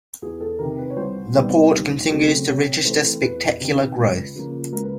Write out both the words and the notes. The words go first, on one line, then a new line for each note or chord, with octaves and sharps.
The port continues to register spectacular growth.
E2 G#4
A4
C3 D#3 A#4
B4
C#5
C2 C5
C3 D#3 G3 B3
D#2
C#3 F#3 A3 C4
C3 C#5
E3 A3 C4 C5
E2 B4
C3 D#3
C#2
C#3 F3 A#3
C#2 A#4
B4